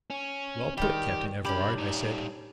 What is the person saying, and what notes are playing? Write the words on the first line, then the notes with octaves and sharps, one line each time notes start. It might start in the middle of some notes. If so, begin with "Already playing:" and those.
"Well put, Captain Everard," I said.
C#4
D#3 G3 G4
C2 C#4 D4 G4 B5
G3 D#4